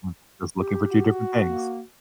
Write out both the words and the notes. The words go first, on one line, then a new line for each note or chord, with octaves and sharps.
we're just looking for two different things.
G4
F#4
A#3